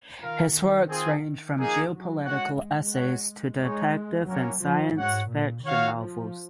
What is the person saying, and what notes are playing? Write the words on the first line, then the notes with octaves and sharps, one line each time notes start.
His works range from geopolitical essays to detective and science fiction novels.
D#3 F4 A#4 F5
C4 F4 G#4
F3 A#3 D#4 G#4
F#3
G#3 F#4 C#5 F#5
F#4 C#5 F#5
G#3 D#4 G#4 C#5
F#3 A#3 C#4 F#4 A#4 C#5
F3
G#2 F#4 C#5 F#5
A#2
D#3 F#4 C#5 F5
F3